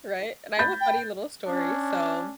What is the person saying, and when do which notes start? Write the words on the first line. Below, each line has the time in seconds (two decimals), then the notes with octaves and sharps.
Right? And I have a funny little story, so
0.59 B5 G6 A6
0.81 G5
1.47 C#4 D4